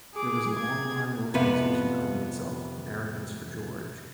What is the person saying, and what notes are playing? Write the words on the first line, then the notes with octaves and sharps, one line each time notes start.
There was an online organization calling itself Americans for George.
G#4 D6
G#4 G#6
F2 C3 B3 B4 F5